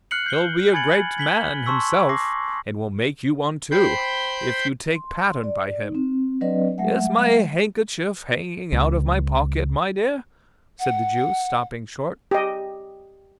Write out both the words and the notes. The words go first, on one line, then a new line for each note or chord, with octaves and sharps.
He'll be a great man himself, and will make you one too, if you take pattern by him.--Is my handkerchief hanging out of my pocket, my dear?' said the Jew, stopping short.
F6 F#6 C7 C#7 F#7
G6 C7 G7
G#5 B5 G#6 A6 C#7 F#7
G#6 B6 F#7 G7
A5 C6 C#6 E6 B6
C#6 D6 A#6 C7
C5 G5 B5 C6 G6
C6
D5
D#4
C4
F#3 C4 D4 B4 D5 D#5
F#3 G#3 A3 E5 F#5
C#2
F#5
G4 D#5